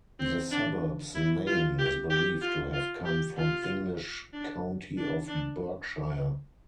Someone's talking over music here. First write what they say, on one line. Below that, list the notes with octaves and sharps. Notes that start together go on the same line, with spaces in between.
The suburb's name is believed to have come from English county of Berkshire.
C4
D4
E4
F4
G4
G4
F4
F4
G4
F4
D4
D4
D4